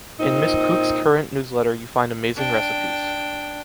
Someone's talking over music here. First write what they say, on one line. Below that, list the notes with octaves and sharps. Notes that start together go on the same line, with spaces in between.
In Mrs. Kuchs current newsletter you find amazing recipes.
A#2 C4 D#4
D4 G5